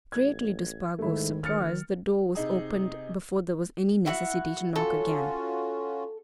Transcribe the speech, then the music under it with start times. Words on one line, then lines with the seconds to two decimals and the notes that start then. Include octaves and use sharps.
Greatly to Spargo's surprise, the door was opened before there was any necessity to knock again.
0.13 A1 G#6
0.99 G#2 D#3 A3 E4
1.43 D2 F6 A6 C#7
2.35 C3 D#4 G#4
4.06 E4 F#4 F#5
4.76 C#4 F4 F#4 A4